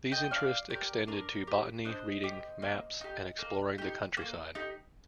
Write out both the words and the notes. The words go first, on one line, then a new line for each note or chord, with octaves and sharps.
These interests extended to botany, reading, maps, and exploring the countryside.
D#5 G5
D#5
D4 D5 F5
G4 A#4 D5
D4 A#4 D5
G4
D4 C5 D#5
G4
A#3
D#4 G4
A#3
D#4 G4
A#3
D#4 G4